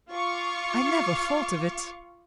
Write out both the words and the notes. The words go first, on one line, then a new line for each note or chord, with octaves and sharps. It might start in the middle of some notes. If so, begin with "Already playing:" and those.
"I never thought of it."
F4 F5 C#6 D6